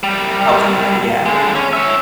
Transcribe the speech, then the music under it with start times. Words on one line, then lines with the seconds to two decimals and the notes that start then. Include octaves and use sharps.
Helps with it, yeah.
0.03 C2 G3
1.26 D3 G#3
1.55 C#4
1.73 C#5 E5